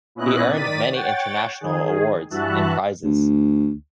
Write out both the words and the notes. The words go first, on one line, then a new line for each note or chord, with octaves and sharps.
He earned many international awards and prizes.
A#2 B3 C#4 E4 D#5 F#6
D#3 D5 A6 B6 D#7
C#5 F#5 G5 A6
D#3 G#4
G2 E3 F#4 E5 A5 F#6
D2